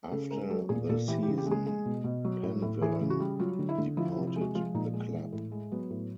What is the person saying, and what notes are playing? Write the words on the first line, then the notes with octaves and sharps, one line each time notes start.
After the season, Penverne departed the club.
C#3 A4
G#3 A#4
F#3 A4
A#2 G#4
A#2 A4
E3 G4
G4
C#3
G4
G#3
G#4
G#3
B2
B2
F#3
A2
A2
E3 G#4
C#3
F#4
G3
F#3 F4
D3
E4
D3
F3 E4
E4
C3
E4
G#3
F#4
F3 F4
A#2 D#4
G#3
E3
A2
G#3
F#3 B3
A2